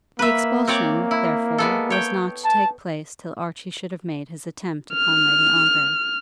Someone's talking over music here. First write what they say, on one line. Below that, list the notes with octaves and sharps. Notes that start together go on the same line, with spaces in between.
The expulsion, therefore, was not to take place till Archie should have made his attempt upon Lady Ongar.
A#3 B4 E5
C4 C#5 D5
E4
G#3 B3 A4
C#5 G5
A5
F6